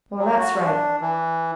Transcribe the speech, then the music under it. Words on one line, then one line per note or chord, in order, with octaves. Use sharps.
Well, that's right.
F#3
F#4
D4
E3